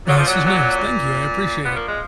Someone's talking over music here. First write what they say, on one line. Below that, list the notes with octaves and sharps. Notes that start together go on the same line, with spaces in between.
No, this was nice. Thank you, I appreciate it.
A#2 F3 F#3
F3
F#3
F#3
A#2 F3 B3
A#3
G#3